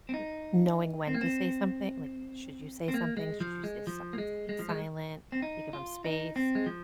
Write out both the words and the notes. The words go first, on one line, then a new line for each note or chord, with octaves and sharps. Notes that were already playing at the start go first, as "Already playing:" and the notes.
m knowing when to say somethi like, should you say something, should you say si stay silent, you give 'em space-
C4
D#4
C4
A#3
C4
C4
A#3
G#3
F3
G#3
F3
A#3
G#3
G#3
F3
G#3
C4
D#4
F4
D#4
C4
G#3
F3